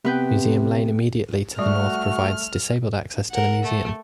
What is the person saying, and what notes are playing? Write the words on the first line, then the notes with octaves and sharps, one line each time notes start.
Museum Lane immediately to the north provides disabled access to the museum.
C3 B3 B4 G5
G3 A3 F#4 D5 F6
A#4 F#5
A3